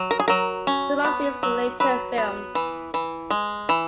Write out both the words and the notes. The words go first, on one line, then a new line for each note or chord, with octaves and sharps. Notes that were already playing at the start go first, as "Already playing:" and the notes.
Some of these were later filmed.
Already playing: F#3
A#4
G#4
F#3 A#4
C#4
B3
F#3
F#3 B4
B3
E3
E3
G#3
E3